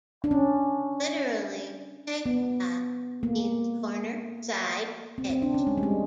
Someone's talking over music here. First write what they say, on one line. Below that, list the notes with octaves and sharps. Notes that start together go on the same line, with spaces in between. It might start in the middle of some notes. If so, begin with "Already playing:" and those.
Literally, "pe'ah" means "corner, side, edge".
D4
C#4
B3
A#3
C4
C4
D4
C#4
G#3
G3
G#3